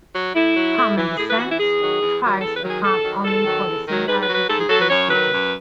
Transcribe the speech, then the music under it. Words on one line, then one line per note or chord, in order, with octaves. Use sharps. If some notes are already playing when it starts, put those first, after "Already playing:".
Common descent tries to account only for the "similarities" between creatures.
F#3
A2 E4
F#3
A2
E3
A2 G#4
B4
E3 F#4
E4
E2 G#4
D#3 F#3
E2
D#3 F#3
E2 A4
B4
D#3 F#3
G#4
E2 A4
D#3 F#3
E2 A4
D#3 F#3
E2
D#3 F#3
G#2 B4
B4
F#3
B4
G#2 A4
G#4
F#3 A4
B4
F#2 C#5
D#3 F#3 B4
F#2